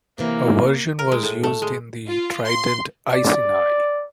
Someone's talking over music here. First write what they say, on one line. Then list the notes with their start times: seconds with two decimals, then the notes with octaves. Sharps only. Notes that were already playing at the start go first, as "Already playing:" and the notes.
A version was used in the Trident Iceni.
0.18 F#2 C3 E3 A#3
0.99 A#4
1.12 G#3
1.23 A2
1.43 A3
1.62 G#3
2.07 F4
2.46 C6
3.13 D5